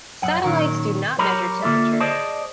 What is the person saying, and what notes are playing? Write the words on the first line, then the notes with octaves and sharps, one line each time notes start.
Satellites do not measure temperature.
B1 F#2 F#5
A#2 D#3 F#3 C#4 A#4
F#3 G4 A#4 C#5 A#5 B5
D3 A#3 F4 A4 E5
G#4 C5 D5 D#5 A5